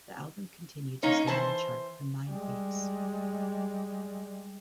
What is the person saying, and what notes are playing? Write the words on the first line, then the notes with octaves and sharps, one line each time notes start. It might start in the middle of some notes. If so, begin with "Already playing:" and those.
The album continued to stay on the chart for nine weeks.
A#3 C#4 D#4 C#5
E3 C5 A5
G3 G#3